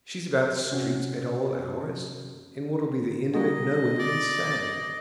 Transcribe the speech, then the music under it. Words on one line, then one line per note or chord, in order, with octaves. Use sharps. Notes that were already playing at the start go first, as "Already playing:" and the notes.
She's about the streets at all hours, and what'll be the end of it no one can say.
C3 C#4 F#4
G3 A#3 F#4 D#5
D5